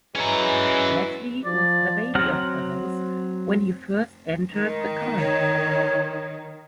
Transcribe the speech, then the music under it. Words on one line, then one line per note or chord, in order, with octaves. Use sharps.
Leslie was the Baby of the House when he first entered the Commons.
E3 F#3 G#3 C#4 A#5
F3 D5
F#3 C4 F#5 A#5 F6
D#3 G#3
C#5